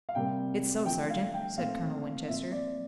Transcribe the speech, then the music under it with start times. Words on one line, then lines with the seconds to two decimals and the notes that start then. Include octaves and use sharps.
"It's so, sergeant," said Colonel Winchester.
0.09 F5
0.15 C3 G3 A#3 G5
0.86 D3 F3 A3 G5
1.10 F5
1.34 G5
1.58 A#2 A3 C4 F5
2.28 A#2 F3 C4 E5
2.52 D5